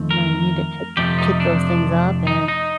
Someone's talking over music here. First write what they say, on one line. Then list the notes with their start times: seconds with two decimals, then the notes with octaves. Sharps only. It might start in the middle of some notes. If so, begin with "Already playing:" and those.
You know, you need to pick pick those things up and
Already playing: F2 D#3 A3 C4
0.11 A#4
0.97 F2 C3 F3 A3 G4
1.18 D#4
1.40 D4
2.27 D#4
2.48 D#4